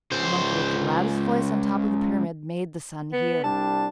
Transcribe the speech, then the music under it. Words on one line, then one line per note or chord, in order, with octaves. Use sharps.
The monkey with the loudest voice on top of the pyramid made the sun hear.
C#2 C5
B3
C2 G3 D4 A5